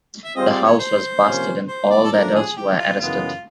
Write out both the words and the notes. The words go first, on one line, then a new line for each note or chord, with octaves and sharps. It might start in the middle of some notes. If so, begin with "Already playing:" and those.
The house was busted and all adults were arrested.
E5
G3 C4 F4 G#4 C5 D#5
D5
C#5
C5
C3 F3 A#3 C#4
C5
D5
A4
A2 F3 A3 D4 A#4
G#4
G4
F4
F#2 C#3 E3 G#3 B3 F4